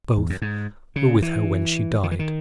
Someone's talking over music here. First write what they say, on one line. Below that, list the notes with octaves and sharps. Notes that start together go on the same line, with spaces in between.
Both were with her when she died.
E2
F#2
G#2
C#3
E3
D#3
E3
D#3